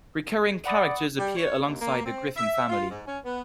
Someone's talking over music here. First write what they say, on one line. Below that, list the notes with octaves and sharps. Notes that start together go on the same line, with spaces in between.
Recurring characters appear alongside the Griffin family.
D5 F#5 B5 D#6
G3
C#5
D#2
A#3
C4
E5
F4
G#2
C#4
B3